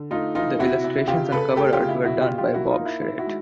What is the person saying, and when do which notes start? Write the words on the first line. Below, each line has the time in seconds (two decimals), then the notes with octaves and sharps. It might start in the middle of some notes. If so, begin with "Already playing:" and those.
The illustrations and cover art were done by Bob Charrette.
Already playing: D3
0.11 A3 D#4 F4
0.35 E3 D#4 F4
0.59 C3 E4 F#4
0.84 C3
1.07 C#3 F4 G4
1.32 C#3 A4 B4
1.56 A3 G4 A4
1.73 F4 G4
1.80 C#3
1.88 E4
2.05 B2 E4 F#4
2.21 F4 G4
2.29 B2
2.38 F4 G4
2.53 A#3 E4 F#4
2.70 D#4 F4
2.78 A#3
2.85 E4
3.02 D#3 E4
3.18 E4 F#4
3.26 G#3